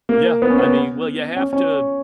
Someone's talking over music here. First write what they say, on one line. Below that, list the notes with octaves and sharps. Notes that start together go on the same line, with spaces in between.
Yeah, I mean, well, you have to,
A#3
B3
C#4
B3
C#4
C#4